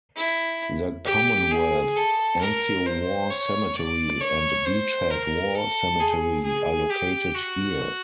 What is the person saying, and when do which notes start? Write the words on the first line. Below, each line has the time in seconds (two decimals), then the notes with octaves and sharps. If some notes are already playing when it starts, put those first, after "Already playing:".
The Commonwealth Anzio War Cemetery and Beach Head War Cemetery are located here.
0.17 E4
1.06 G4
1.51 G#4
1.96 A4
2.41 A#4
2.86 C5
3.31 C#5
3.76 D5
4.21 C#5
4.65 C5
5.11 A#4
5.55 A4
6.00 G#4
6.44 G#4
6.90 G4
7.35 F#4